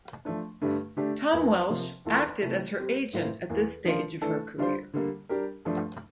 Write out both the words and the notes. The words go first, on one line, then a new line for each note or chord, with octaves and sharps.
Tom Welsh acted as her agent at this stage of her career.
F3 A3 D4
G2 D3 A3 D4 G4
D3 A3 D4 G4
E2 E3 A#3 E4
C3 F3 A#3
E2 E3 A#3 F4 A4
C3 E3 A3 E4
G3 C4 G4
A2 E3 A#3 F4 C5
E2 E3 A#3
F3 A#3 D4 F4
E3 A3 D4 A4
D3 G3 D4 F4 C5
D3 G3 A#3
G3 D4 G4 A#4
G2 F3 A3 D4 A4